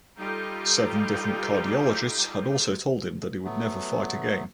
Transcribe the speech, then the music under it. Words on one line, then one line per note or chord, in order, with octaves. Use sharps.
Seven different cardiologists had also told him that he would never fight again.
G3 D#4 F4 G4 A4
F#3 A3 B3